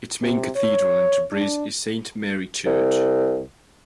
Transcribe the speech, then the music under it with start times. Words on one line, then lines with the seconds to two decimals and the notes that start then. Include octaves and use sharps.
Its main cathedral in Tabriz is Saint Mary Church.
0.23 C3
0.56 C#5
1.32 D4
2.66 C2